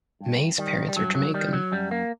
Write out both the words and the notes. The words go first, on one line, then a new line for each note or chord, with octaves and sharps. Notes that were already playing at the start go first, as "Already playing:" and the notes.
May's parents are Jamaican.
G2
D#3 G3
G3
G2 F#3
F#3
D#3 G3
F#3
F#2 G3
A#3